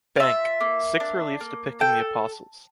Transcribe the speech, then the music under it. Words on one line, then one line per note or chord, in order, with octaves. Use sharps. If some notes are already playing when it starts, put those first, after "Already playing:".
Bank; six reliefs depicting the Apostles.
F5
F4 E5
A#3
D4
A#3
A4 G5